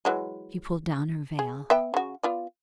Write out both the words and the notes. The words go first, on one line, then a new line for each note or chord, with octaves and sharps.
She pulled down her veil.
E3 F#3 G#3
G#4
B3 E5 G5
C#3 F#4
B3 F4 D5